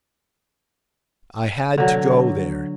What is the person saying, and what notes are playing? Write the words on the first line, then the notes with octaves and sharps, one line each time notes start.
I had to go there.
D3 F#3